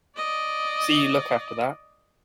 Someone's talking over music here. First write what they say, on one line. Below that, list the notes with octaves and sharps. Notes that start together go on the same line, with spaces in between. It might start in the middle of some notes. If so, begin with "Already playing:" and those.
See you look after that.
D5 D#5